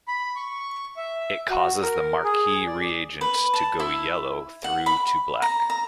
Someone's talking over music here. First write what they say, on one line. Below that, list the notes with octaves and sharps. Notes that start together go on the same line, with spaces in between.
It causes the marquis reagent to go yellow through to black.
B5
C#6
E5
F#4
A#4
G#4
D5
B4
A5
E4
F#5
B5
A#5
A#5